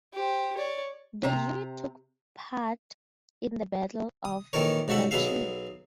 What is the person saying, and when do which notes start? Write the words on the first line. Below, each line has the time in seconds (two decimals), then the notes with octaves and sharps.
The unit took part in the Battle of Belchite.
0.14 G4 C5
0.56 C#5 D5
1.24 C3 A#5
4.25 D#6
4.53 A#1 D#3 E3 A4 A#4 C#5
4.88 G#2 C#3 F#4 A4 E5 F#5
5.11 B1 F#3 B3 G#4 E5 F5